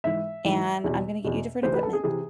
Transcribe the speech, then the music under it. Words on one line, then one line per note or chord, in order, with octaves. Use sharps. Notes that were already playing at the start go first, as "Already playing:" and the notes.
and I'm gonna get you different equipment,"
G#2 E3 E5
G#2 E3
E2 B2
E2 B2
D2 C3 E3 C5
B4
A4
G#4
C3 E3 G#4